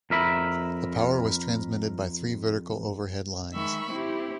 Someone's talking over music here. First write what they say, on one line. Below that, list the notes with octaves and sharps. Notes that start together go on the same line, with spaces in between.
The power was transmitted by three vertical overhead lines.
F2 A#4 E5 B5
D#3 G#3 E5 B5 C#6
C4 E4 G4